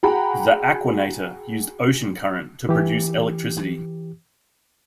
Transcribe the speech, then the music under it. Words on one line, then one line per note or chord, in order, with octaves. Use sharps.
The Aquanator used ocean current to produce electricity.
F#4 G#4 F#5 G5 A#5 B5
E3 G4